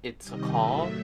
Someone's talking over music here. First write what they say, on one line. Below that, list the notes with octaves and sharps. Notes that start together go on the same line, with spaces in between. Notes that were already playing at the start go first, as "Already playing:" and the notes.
it's a call,
C3 D#3 G3 D#5
A2 F#3 A3 E5